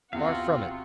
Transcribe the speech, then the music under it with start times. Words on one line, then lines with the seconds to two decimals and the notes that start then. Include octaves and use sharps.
Far from it.
0.13 E2 C3 C4 F4 F#4 F5